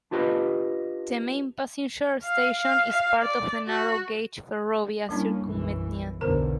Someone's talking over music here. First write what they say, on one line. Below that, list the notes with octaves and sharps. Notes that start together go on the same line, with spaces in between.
The main passenger station is part of the narrow gauge Ferrovia Circumetnea.
D4 F4 G4 B4 D#5
F5
F5
F5
D5
F#4
G3 A#3 C#4 D4 E4
B1 F#2 E3
B1 E2 D3 A#4 C5 A#5